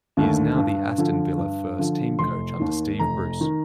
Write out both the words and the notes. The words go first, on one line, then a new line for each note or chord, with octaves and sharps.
He is now the Aston Villa first team coach under Steve Bruce.
D#2 D3 A3
G2
D3 F3
G2
D3 F3
F1 C6
D#2 D#3
F1 A#5
D#3